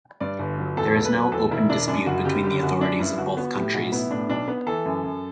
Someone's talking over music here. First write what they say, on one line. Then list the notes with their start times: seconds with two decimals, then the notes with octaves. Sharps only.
There is no open dispute between the authorities of both countries.
0.20 G2 D5
0.39 G1
0.58 F#3
0.77 E2 A4
0.95 E1
1.05 B4
1.14 F#3
1.32 E2 A4
1.51 E1 E4
1.70 E1 D4
1.87 F#2 D4
2.06 F#1 F#4
2.25 F#1 G4
2.44 D3 G4
2.62 F#2 F#4
2.81 F#2 D4
2.99 G2 E4
3.18 G1 F#4
3.37 B3 F#4
3.54 A2 G4
3.74 B1 F#4
3.92 B3 E4
4.10 A2 D4
4.29 B1 D4
4.48 B3
4.66 E3 A4
4.85 F#2
5.03 F#2